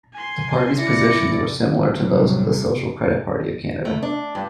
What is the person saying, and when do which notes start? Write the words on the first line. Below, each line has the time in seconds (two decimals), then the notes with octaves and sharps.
The party's positions were similar to those of the Social Credit Party of Canada.
0.13 G#5 C6
0.78 E4 D5 A#6 C#7
1.96 A1 E2 A2 C3 F#3 G3
3.85 A3
4.03 D4
4.35 G2